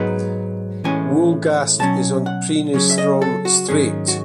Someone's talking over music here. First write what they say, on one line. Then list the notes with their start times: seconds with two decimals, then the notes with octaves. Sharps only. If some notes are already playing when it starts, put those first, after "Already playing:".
Wolgast is on Peenestrom strait.
Already playing: G#2 F#3 B3 D#4
0.84 A2 E3 G#3 C#4 G#5
1.79 B2 F#3 C#4 A5
2.26 F#5
2.74 C#3 F#3 C#4
2.90 E5
2.98 D#5
3.22 A4
3.45 F#4
3.68 G#2 D#3 F#3 C#4 G#4
4.08 F#4